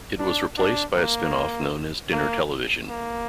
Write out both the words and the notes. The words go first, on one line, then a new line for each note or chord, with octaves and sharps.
It was replaced by a spin-off known as Dinner Television.
D4
D4
A#3
A#3
A#3